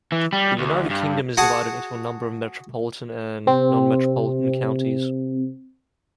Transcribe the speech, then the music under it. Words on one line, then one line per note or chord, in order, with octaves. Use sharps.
The United Kingdom is divided into a number of metropolitan and non-metropolitan counties.
E3
G3
D2
G2
F#4 G#4 F#5 G#5 A5
C3 C4